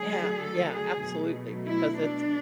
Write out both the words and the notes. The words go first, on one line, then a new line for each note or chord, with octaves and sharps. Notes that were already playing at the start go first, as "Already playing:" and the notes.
Yeah yeah, absolutely, because it's
Already playing: D3 F#3 A3 G#4
A4
G#4
B2 F#3 A3
E4
D4